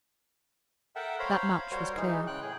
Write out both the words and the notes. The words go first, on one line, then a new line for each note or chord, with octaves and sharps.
That much was clear.
A4 A#4 E5 F#5 G5 A5
C5 C#5 F5 A#5 B5
G3 F#4 A#4 C5 C#5
E3 G#3 D#4
C#3 G5 F#6
A2 G#4